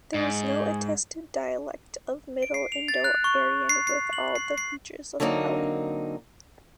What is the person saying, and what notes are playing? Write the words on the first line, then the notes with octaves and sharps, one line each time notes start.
There is no attested dialect of Middle Indo-Aryan with all the features of Pali.
G#2
D7
C7
F7
A6
F#6
C#6
C7
C7
F#7
C7
C7
D3 F#3 A#3 C4 D#4